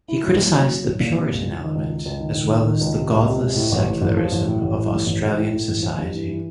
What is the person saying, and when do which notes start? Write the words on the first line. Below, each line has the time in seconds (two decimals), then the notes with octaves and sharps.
He criticised the "puritan element" as well as the "Godless secularism" of Australian society.
0.08 E4
0.24 F#3
0.39 A#2
0.54 F#3
0.69 F#3
0.84 F#3
1.00 A#2
1.14 C3
1.30 C#2
1.45 C#2
1.60 D#3
1.75 C#2
1.90 C#2
2.06 C#2
2.20 D#3
2.35 D#3
2.51 C#2
2.65 D#3
2.81 C#2
2.95 C3
3.11 C#2
3.26 C3
3.41 C#2
3.56 A2
3.72 A1
3.87 A1
4.02 A1
4.17 F3
4.32 A1
4.47 A2
4.61 A1
4.77 A2
4.92 A1
5.07 A1
5.22 A1
5.37 A2
5.53 A2
5.68 A1
5.83 F3
5.98 G2
6.13 E3
6.28 E3